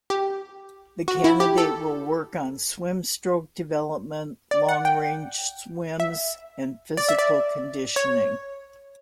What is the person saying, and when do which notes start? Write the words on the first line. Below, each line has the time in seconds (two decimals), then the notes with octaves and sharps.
The candidate will work on swim stroke development, long range swims and physical conditioning.
0.10 G4
1.08 F#4
1.24 E4
1.40 G4
1.58 A4
4.51 D5
4.69 F#5
4.85 G5
6.00 E5
6.97 D5
7.09 E5
7.19 D5
7.96 C#5